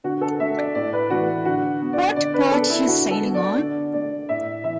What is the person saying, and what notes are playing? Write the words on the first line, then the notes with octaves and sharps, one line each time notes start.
What boat you sailing on?
D3 F#4
A4
A3 E5
D5
A2 D5
B4
E3 A3 F#4
D3 F#4
B3
D5
D3 D5
B4
B3 A4
E4
D3 F#4
A4
B3
D5
D3
A3 D5
A2 E5
E3 E5